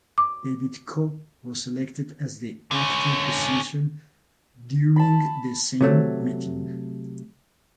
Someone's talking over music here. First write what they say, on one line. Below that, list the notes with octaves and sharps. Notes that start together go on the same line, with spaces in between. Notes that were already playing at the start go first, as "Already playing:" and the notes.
David Koh was elected as the acting position during the same meeting.
D6
D3 C#4
A5 B5
C3 F#3 A3